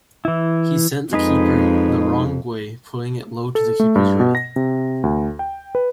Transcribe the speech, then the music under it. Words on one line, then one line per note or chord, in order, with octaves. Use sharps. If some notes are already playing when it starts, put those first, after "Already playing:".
He sent the keeper the wrong way, putting it low to the keeper's right.
E3 E4
F2 G#3 D#4 B4
A4
A3
G2
B2
A#6
C3
D2
G5
B4